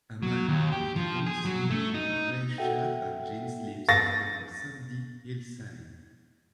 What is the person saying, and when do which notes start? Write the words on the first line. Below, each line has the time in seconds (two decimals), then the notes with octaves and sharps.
A man in a longsleeved gray shirt and jeans leaps from a sandy hillside.
0.23 F#3
0.49 D#2
0.72 G4
0.96 F3
1.26 G#4
1.45 F#3
1.70 A3
1.94 D#4
2.58 F#4 A4 E5 F#5 G5
3.89 A6 A#6